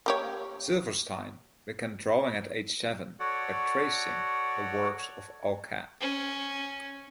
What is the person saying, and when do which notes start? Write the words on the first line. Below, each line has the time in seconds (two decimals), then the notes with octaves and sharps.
Silverstein began drawing at age seven by tracing the works of Al Capp.
0.06 A#3 G4 C#5
3.20 F#4 A4 C#5 D5 F#5
6.01 C#4